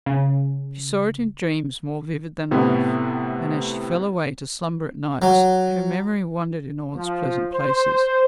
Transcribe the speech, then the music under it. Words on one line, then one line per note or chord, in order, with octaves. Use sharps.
She saw it in dreams more vivid than life, and as she fell away to slumber at nights her memory wandered in all its pleasant places.
C#3
A2 C3 B3 E4
F#3
F3
C5